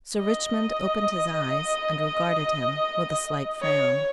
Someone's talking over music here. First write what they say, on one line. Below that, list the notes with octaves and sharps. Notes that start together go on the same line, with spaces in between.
Sir Richmond opened his eyes and regarded him with a slight frown.
D#5
C#5